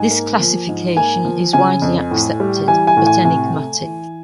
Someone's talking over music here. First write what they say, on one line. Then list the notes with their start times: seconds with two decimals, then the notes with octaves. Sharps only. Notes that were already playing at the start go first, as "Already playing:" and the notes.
This classification is widely accepted but enigmatic.
Already playing: G#2 G#5
0.11 A#3
0.39 F3
0.69 G#2
0.97 A#3 G#5
1.25 F3
1.53 C#3 G#5
1.82 F2
2.11 A2
2.40 G3
2.68 E3 G#5
2.87 G#5
2.97 A2
3.06 G#5
3.24 C3 G#5
3.53 A3
3.82 E3